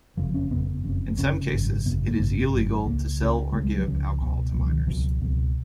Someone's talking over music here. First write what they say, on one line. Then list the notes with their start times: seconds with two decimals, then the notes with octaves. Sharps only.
In some cases, it is illegal to sell or give alcohol to minors.
0.17 F#1 F2 C#3 F3
0.34 C#4
0.51 F#1 F2 C#3 B3
0.84 F#1 F2 C#3
1.18 F#1 F2 C#3 C#4
1.51 G#1 F#2 C#3
1.85 G#1 F#2 C#3 B3
2.08 A#3
2.18 G#1 F#2 C#3 B3
2.52 G#1 F#2 C#3
2.85 C#2 C#3 A#3
3.19 C#2 C#3
3.52 C#2 C#3 G#3
3.64 G#3
3.75 F#3
3.86 C#2 C#3 F3
4.20 C#2 B2
4.53 C#2 B2 F3
4.69 D#3
4.87 C#2 B2 F3
5.20 C#2 B2